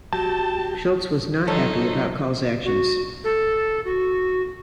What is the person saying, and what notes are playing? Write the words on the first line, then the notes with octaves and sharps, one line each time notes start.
Schultz was not happy about Coll's actions.
F#3 G4 G5 A5
F3 F#3 D#4 A4 C#5
F#4
A4
F#4